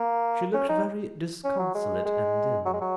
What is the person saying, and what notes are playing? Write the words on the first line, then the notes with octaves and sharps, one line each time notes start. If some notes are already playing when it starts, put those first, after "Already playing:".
She looked very disconsolate and dim.
Already playing: A#3
C#4
D#4
C#4
F#3
G#3
G#3
F#3
G#3
F#3